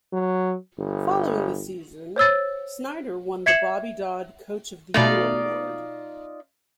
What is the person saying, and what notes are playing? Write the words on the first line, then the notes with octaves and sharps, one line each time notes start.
Following the season, Snyder won the Bobby Dodd Coach of the Year Award.
F#3
G1
C5 C#5 E6 A6
E5 G#6 C7 C#7 E7 F#7
B2 A3 D#4 F4 D5